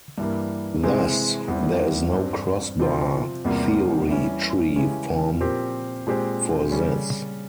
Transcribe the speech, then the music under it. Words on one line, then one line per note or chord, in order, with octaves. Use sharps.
Thus, there is no X-bar Theory tree form for this.
G2 E3 G3 A#3
C3 E3 G#3 C4
E2 E3 G3 C4 E4
G2 G3 C4
C3 F3 C4 F4
E2 C3 G3 A#3 F4
E3 G3 C#4
C#3 E3 G#3 C#4 G4
A#2 F3 C4 G4 A#4
A#2 G#3 C4 G4 C5
C#3 G3 C#4